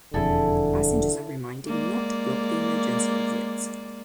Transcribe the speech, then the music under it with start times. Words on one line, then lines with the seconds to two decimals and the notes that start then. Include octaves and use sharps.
Passengers are reminded not to block the emergency exits.
0.14 E1 F2 D3 E4 G#4 A4
1.66 G#3 A#3 D5